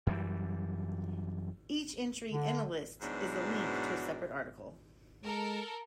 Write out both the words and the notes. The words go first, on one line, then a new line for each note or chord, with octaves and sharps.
Each entry in a list is a link to a separate article.
F#2 E3 G3
D3
G#2 B2 E3 F#3 D4
G#3 A4 A#4